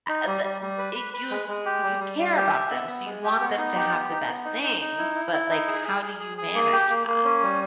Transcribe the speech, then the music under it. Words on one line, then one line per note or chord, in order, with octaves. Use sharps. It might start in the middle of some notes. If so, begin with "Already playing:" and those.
uh th you s you care about them, so you want them to have the best things. But, like, how do you manage that?
D#4
G3
G3
G3
B4
B4
B4
G#3
G#3
G4
G3
G3
G3
G4
E5
B3
B3
G#3
G4
B3
D#4
G4
B3
D#4
B3
D#4
D#4
D#4
E4
E4
E4
D#4
G#4
G#4
G#4
G#4
G#4
A#3
G4
A#3
A#3
C#4
G3